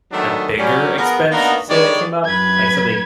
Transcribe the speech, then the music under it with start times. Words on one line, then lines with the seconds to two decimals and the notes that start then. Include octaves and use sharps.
a bigger expense, say, that came up, like something,
0.12 D#3 F#3 G#3 A3 B3 D4
0.58 F#3 G3 C#4
0.97 F3 B3 G#4 A#4
1.31 A#3 B3 D4 D#4 F#4 A#4
1.68 D3 D#3 G3 G#3 C#5 D5
2.25 F#2 B4 G#6